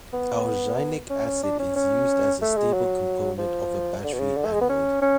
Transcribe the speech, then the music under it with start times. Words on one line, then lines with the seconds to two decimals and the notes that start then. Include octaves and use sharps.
Alginic acid is used as a stable component of a battery anode.
0.13 B3
1.10 C#4
1.43 D4
1.60 C#4
1.76 C#4
2.42 A3
2.57 G#3
2.73 F#3
3.38 F3
4.04 D3
4.13 B2
4.20 C#3
4.37 D3
4.45 A3
4.53 G#3
4.61 B3
4.69 C#4
5.02 C#4